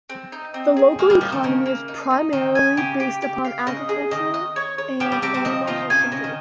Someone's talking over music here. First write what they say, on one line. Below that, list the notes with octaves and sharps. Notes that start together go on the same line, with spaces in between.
The local economy is primarily based upon agriculture and animal husbandry.
C4
D#4
C4
G#4
G#3 A#3
G3
F3 D#4
D#3
C#3 A#3
A#3
D#4
D#4
D#3 D#4
G#5
C#3 G4
G4
G4
F5
C#3 D#5
G#4
D#3 D#5
D#5
C#5
C#5
F3 G4
G3
C3 C4 G4
C3 C4
F3 D#5
D#3 F4
C#3 G#5
C3
C#3 D#5
D#3